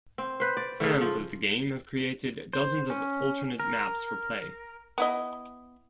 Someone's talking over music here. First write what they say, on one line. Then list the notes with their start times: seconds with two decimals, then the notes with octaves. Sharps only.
Fans of the game have created dozens of alternate maps for play.
0.18 C4
0.40 B4 C5
0.57 D5
0.80 C#3 A3
1.01 F3
2.53 C5
2.90 C#4
3.60 A#4
4.98 B3 E4 D#5